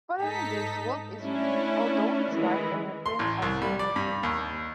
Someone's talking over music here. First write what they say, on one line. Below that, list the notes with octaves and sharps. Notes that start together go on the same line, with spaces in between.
Following this, Wilt is released, although his wife and her friends are still missing.
G#2 D#4 A4 B6
A3 C#4 D4 E4
D#3 E3 G#3
C6
A1
C2
G3
D5
G2
D#2